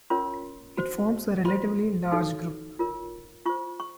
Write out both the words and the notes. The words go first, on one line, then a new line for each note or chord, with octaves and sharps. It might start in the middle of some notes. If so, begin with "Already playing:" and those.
It forms a relatively large group.
C#4 F4 A#4 C#5 C6
F#4 C5
F4 C5 C6
D#4 F#4 A4 C#5
F4 A#4 C#5
F4 C5 C#6
C#6